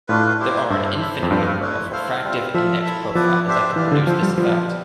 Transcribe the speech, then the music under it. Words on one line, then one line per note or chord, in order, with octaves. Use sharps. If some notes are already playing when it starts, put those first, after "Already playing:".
There are an infinite number of refractive-index profiles that can produce this effect.
A2 A3 D4 F4 B4
E4 G4 C5
G2 E4 A4 C5
E4 A4 C5 E5
F2
G2 B3 F4 A4 C5
A3 E4 B4
E4 A4 C5 F5
G3 C4 F4
F3 F4 A4 E5
E4 A4 E5
F3 B3 E4 B4 D5
D4 G4 C5 E5
E3 D4 G4 D5 F5
D3
F3 F4 A4 C5 F5
G3
F3 B3 D4 F4
G3